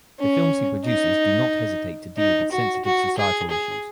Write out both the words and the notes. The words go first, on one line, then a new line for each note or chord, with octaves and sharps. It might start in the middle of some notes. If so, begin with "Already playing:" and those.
The films he produces do not hesitate to deal with sensitive societal issues.
C#4
D#4
D#4
F#4
F#4
G#4
G#4